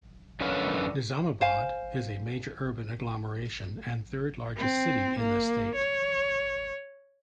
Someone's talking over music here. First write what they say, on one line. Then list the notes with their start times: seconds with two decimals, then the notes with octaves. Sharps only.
Nizamabad is a major urban agglomeration and third largest city in the state.
0.40 F#2 D3 C#4 A#4 B4 F5
1.41 C5 F5 G#5
4.57 C4
5.19 A#3
5.75 C#5